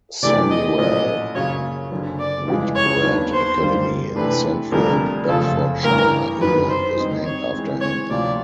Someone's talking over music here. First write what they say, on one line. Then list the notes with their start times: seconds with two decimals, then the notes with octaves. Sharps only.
Samuel Whitbread Academy in Central Bedfordshire, England, is named after him.
0.23 C3 E3 A3 D4 G4 D5
0.50 D#5
0.78 A#1 A2 F#3 A3 C#4 D#5
1.35 F#2 C#3 F#3 A#3 C#5
1.91 F#1 F#2 D3
2.19 D5
2.47 G1 F2 C#3 E3 G#3
2.76 C#5
3.03 D#2 D#3 F#3 B3 D4
3.32 C5
3.60 F#2 D#3 G3 A#3
4.16 C3 E3 A3 D4 B4
4.72 F1 F2 D3 G3 A#4
5.28 F#1 F2 C#3 F3 A3 A4
5.84 A1 G2 E3 A#4
6.41 F#2 D#3 F#3 B4
6.70 C5
6.97 D#3 G3 C4 D#4
7.25 C#5
7.54 E3 G#3 C4
7.81 C#5
8.09 D2 C3 F3 D5